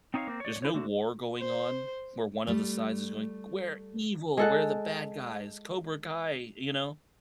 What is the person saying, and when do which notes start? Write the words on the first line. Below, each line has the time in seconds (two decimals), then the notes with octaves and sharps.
there's no war going on, where one of the sides is going, "We're evil. We're the bad guys. Cobra Kai." You know?
0.14 C4 D#4 C#5 D5 F5
0.27 A#3 C4
0.40 C#5 D5
0.62 E4 C5 C#5
0.74 D3 A3 F#4
1.38 C5
2.47 G3 A3
4.37 G#3 A4 F#5